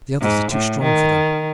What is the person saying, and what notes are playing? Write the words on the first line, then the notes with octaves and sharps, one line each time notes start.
The others are too strong for them.
G#2
A2
D#3